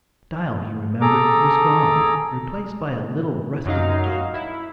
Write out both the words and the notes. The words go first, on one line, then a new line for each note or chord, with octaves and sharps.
The stile he remembered was gone, replaced by a little rustic gate.
G#4 A4 A#5 D6
F#2 F#3 D#4 F5
E4